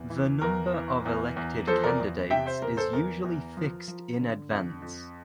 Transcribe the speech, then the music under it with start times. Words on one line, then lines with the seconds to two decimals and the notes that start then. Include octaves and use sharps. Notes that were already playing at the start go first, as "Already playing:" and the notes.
The number of elected candidates is usually fixed in advance.
Already playing: E2
0.10 E3
0.41 E2 A#4
0.73 E3
1.05 E2
1.36 E2
1.67 F3 A4 C5
1.84 A#4 D5
2.00 E2
2.30 C3 E5 G5
2.46 C5 E5
2.62 E2 A#4
2.77 A4 C5
2.93 E2 A#4
3.24 E2
3.57 F3
3.88 F3
4.20 D3
4.50 F2
4.82 F2